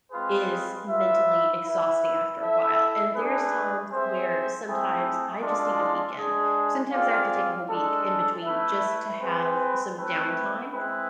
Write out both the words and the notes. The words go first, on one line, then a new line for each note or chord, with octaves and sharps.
is mentally exhausting after a while, and there's times where sometimes I just need a weekend. Sometimes I have to take a whole week, in between, just to have some downtime,
G#3 C4 F4 G#4 B4
F4 B4 E5
E4 B4 E5
E4 A4 E5
A3 D4 G#4 B4
C4 G#4 C5 E5
A3 C4 E4 G#4
G#3 D4 F4 A4 D5
G#3 D4 G#4
C4 F4 G#4 D5 F5
G#3 D4 A4
A3 E4 B4 E5
C4 G#4 B4
A3 C4 E4 B4
G#3 C4 E4 B4